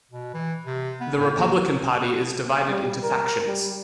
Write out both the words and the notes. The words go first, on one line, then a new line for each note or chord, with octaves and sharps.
The Republican Party is divided into factions.
B2
E3
C3
B3
A2
A#3
G3
A#4
G3